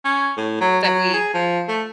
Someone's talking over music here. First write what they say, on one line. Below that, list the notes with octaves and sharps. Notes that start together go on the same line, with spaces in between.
that we
C#4
A2
F#3
F#3
G#4
F3
A3